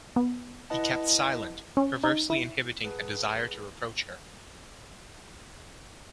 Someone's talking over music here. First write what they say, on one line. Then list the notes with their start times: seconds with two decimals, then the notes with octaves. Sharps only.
He kept silent, perversely inhibiting a desire to reproach her.
0.16 B3
0.70 E4 B4 D#5 F#5 A5
1.77 C#4
2.03 D#4
2.30 E4
2.84 G#4 B4 F#5 A5